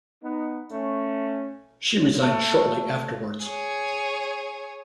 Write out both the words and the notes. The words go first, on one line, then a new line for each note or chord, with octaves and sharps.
She resigned shortly afterwards.
B3 D#4
A3 C#4
A3
G#4 C#5